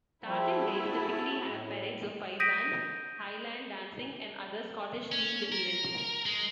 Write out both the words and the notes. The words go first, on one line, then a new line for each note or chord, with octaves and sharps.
Tartan Days typically have parades of pipe bands, Highland dancing and other Scottish-themed events.
F3 G3 C4 E4 F#4 G#4
A5
A2
D#6 G6 A#6 B6 D7 D#7
C#4
A#4
G#3